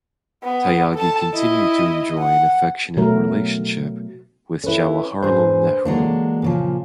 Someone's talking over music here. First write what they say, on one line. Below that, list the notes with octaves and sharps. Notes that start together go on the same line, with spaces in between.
Tyagi continued to enjoy an affectionate relationship with Jawaharlal Nehru.
B3
A4 A5
E4 D#5
F#5
B2 F#3 A3 A#4
C#4 E4 A4 B4
G#2 D4 G#4 B4 C5
D3 E3 F#3 G#3 A#3 D4
A#2 C#3 F3